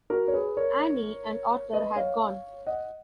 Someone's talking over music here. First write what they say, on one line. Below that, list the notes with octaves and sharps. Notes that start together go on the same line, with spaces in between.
Annie and Arthur had gone.
F#4 A#4
C#5
G#4 B4
A#4 C#5
B4 D#5
C#5 F5
D#5 F#5